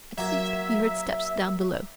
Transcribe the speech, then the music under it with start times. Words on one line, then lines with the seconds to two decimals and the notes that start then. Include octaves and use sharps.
At last he heard steps down below.
0.18 F#3 A#3 E5